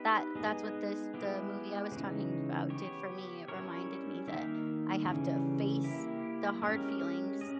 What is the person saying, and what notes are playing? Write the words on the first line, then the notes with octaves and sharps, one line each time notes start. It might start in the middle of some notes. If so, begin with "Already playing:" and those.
that that's what this the movie I was talking about, did for me, it reminded me that I have to face the hard feelings,
Already playing: B3 D#4 G4 B4 E5
G#3 B3 D#4 G#4 D#5
G#3 B3 E4 G4
C#3 E3 G#3 D#4
B3 G4 C#5
G3 C#4 E4 A#4 C#5
D#3 A#3 D#4 A#4 E5
C#3 E3 G3 C#4
A#3 E4 G4
G#3 C#4 G4 A#4
C#4 G#4 D#5